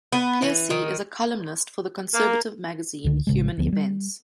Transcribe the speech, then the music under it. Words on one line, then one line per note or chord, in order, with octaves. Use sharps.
Pearcey is a columnist for the conservative magazine "Human Events".
B3
E3
D#3
A#3
C#2 D3
A1 C#3 G#3
D2 F3 B3
G3